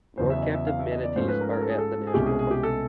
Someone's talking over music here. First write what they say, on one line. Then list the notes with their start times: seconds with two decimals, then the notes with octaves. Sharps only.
More captive manatees are at the National Park.
0.18 E2 C#3 F#3 B3 C5
0.30 E5
0.42 D#5
0.55 E5
0.67 F5
0.79 E5
0.92 D#5
1.04 D5
1.16 G#2 F3 A3 C#4 C5
1.28 B4
1.41 A#4
1.53 A#4
1.61 A4
1.70 G#4
1.78 A4
2.07 G#4
2.14 C2 B2 G#3 C#4 G4
2.26 G#4
2.39 G#4
2.51 G4
2.63 A4